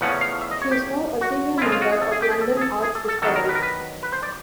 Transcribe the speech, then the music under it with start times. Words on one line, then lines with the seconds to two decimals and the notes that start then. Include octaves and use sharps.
She is now a senior member of London Arts Discovery.
0.01 E2 C#3 F3 A3 C#4 F#5
0.21 F5
0.41 E5
0.51 D#5
0.62 C#5
0.71 G4
1.21 F#4
1.57 E4
1.61 C#3 F3 G#3 C4 F4
1.72 F4
1.82 F#4
1.92 G#4
2.02 A4
2.11 G#4
2.22 G4
2.31 G#4
2.41 A4
2.57 G#4
2.61 A4
2.82 G#4
2.95 A4
3.08 A4
3.22 D#3 F#3 B3 D4 A4
3.36 A#4
3.49 B4
3.55 A#4
3.62 B4
4.03 B4
4.12 C5
4.23 D5